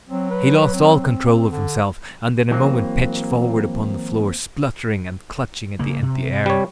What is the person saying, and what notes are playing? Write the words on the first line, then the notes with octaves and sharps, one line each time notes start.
He lost all control of himself and in a moment pitched forward upon the floor, sputtering and clutching at the empty air.
F#3 C4
B4
C4
D3
E3 F#3 A#3 C4
C#3 A#3
C3
G3 C#5